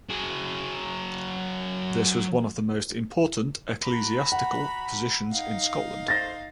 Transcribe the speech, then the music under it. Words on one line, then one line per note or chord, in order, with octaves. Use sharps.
This was one of the most important ecclesiastical positions in Scotland.
F#3 G#4
F#4 A#5 B5
F#5
D#4 F5
A3 C5 A6 A#6